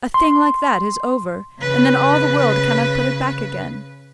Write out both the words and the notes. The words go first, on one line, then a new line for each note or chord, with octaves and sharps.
A thing like that is over, and then all the world cannot put it back again.
C6
C#3 B4